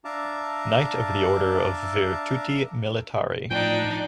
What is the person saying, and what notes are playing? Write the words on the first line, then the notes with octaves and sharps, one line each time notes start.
Knight of the Order of Virtuti Militari.
D4 E5 F5 A5 A#5 D6
A2 F3 D4 D#4 G5